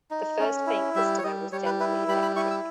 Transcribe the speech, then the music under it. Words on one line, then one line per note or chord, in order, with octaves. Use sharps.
The first paying customer was General Electric.
D#4
C#4
E4
G3 E5
C#5
G3 D#5
G3 C#5
B4
E4 B4
G3 B5
B5
E4 C#6
E6